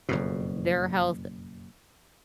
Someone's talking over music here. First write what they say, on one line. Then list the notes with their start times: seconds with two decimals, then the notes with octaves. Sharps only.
their health
0.09 F#1 F2 B2